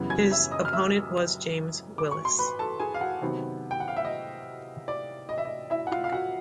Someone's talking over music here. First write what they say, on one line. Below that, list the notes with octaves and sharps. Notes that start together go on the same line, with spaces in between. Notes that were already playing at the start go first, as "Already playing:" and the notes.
His opponent was James Willis.
Already playing: F#2 C#3 E3 G3 B3
G#5 G#6
E5 E6
D#5 D#6
F6
E5 E6
D6
C#6
C6
B4 B5
A4 A5
G#4 G#5
F5
F#4 F#5
C3 D#3 F#3 B3
G5
F#5
F5
E5
D#5
D5
D#5
E5
D#5
E4 E5
F#5
F4 F5
F5
F#4 F#5